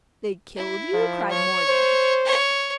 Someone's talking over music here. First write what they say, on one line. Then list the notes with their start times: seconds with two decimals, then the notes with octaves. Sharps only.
"They killed you?" cried Morgan.
0.57 E4
0.94 F3
1.29 C#5
1.68 C5
2.25 C#5